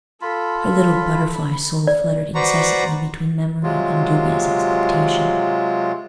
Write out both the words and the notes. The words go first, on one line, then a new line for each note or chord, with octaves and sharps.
Her little butterfly soul fluttered incessantly between memory and dubious expectation.
F4 A4 B5
D5
F#4 B4 C5 D5 A#5 C#6
C3 F#3 G#3 F4